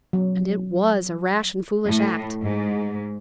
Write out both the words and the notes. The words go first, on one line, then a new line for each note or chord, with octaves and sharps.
And it WAS a rash and foolish act.
F#3
A2
G#2